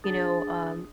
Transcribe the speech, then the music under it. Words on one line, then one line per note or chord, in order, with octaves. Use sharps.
you know, um,
D4 G#4 D#6 A6